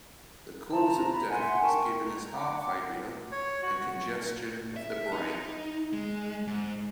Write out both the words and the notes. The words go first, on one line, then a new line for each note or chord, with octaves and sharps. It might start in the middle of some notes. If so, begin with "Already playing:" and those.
The cause of death was given as heart failure and "congestion of the brain".
C5 A5 A#5
B5
E5 F#5 G#5 C6
A#4 G5 A5 C#6
A#5
F#5 G5 D6
C#5
F#4
E5
D#4
G#3
G#2